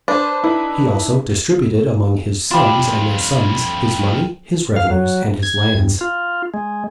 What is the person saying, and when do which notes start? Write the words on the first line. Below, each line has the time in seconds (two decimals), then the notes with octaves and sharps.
He also distributed among his sons and their sons his money, his revenues, and his lands.
0.08 D4 B4 C5
0.43 D#4 E4 B4
2.51 F2 G3 D4 F4
4.76 F5
4.91 F#3
5.43 G#6
5.75 G2
6.01 F4
6.54 G#3